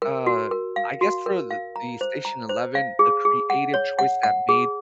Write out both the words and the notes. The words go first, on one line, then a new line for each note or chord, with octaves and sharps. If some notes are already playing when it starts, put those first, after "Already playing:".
uh, I guess for th the Station Eleven, the creative choice that made
A#4
F#4
A#4
F5
F#4
A#4
F5
A#5
C5
A#5
C5
F5
G#4
G#4
F#5
C#5
F#5
F#5
G#4